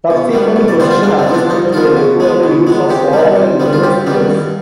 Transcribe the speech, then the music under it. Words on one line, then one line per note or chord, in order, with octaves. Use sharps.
Subsequent position adjustment may require the use of forward and reverse gears.
B2
G3 B3
B2
D5
G3 B3 C5
F4
G2 D4
C4
F3 B3
D4
G2 D#4
F3 B3 F4
B2
G#3 B3
B2
G#3 B3
C3 G4
G3 B3
C3
G3 B3
F4
G2 G4
D#3 G3 B3
G2